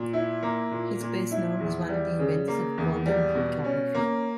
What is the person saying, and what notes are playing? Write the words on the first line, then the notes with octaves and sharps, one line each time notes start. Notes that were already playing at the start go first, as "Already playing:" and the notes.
He is best known as one of the inventors of quantum cryptography.
Already playing: A#2
E4
A#3
A#2
A#2
E4
E2
G3
C#3
A#3
E2
G3
B2
C#4
A#3